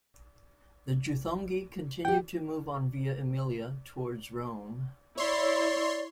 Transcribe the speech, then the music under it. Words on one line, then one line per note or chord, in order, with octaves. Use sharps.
The Juthungi continued to move on Via Emilia towards Rome.
G4 F#5 G5
E4 C#5 D5 C6